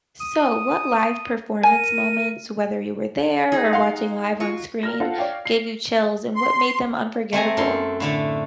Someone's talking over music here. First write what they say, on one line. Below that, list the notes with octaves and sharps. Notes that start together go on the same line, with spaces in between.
So, what live performance moments, whether you were there or watching live on screen, gave you chills, and what made them unforgettable?
D#6
A#4 G#5 D#7
D#4 G#4
F5 F#5 C6
F4 F#4 C#6
A#4 F6 A#6
F4 A4 C5 F#5 A5
C#5 D5 F5 G5
C7
C6
A3 C4 G#5 A#5
F#2 A4 C6
A2 D3 A3